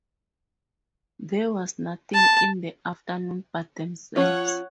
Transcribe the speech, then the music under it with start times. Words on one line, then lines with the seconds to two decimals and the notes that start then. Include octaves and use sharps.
There was nothing in the afternoon but themselves.
2.14 A5
4.16 F3 C#4 F4 C#5 F#5